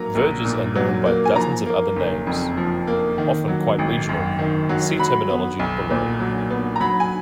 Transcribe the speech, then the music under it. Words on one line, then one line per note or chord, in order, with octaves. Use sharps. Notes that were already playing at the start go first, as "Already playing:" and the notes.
Verges are known by dozens of other names, often quite regional; see Terminology, below.
Already playing: F#3 A#3 A#5
A#1
A#2
F#3
A#3
G#5
F3 A#5
A#3
F#1
F2
F3
A#3
D#3
F#3
G#1
F#2
D#3
F#3
F#3 B5
B3
B1
A#2
F#3
B3
A#5
F#3 B5
G#5